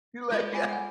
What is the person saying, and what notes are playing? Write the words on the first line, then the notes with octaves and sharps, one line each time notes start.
you, like yeah.
G#3 F4 A4 D5 C6
F4 G#4 G#5
F#5 G#5